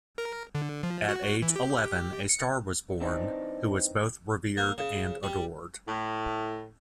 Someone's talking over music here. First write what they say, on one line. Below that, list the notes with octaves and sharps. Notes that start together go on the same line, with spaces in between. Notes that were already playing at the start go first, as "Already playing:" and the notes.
At age eleven, a star was born, who was both revered and adored.
A#4
D3
F3
F#4
E3
G4
C#7
E3 C4 D4 D#4
A#3
C#3
G3
A2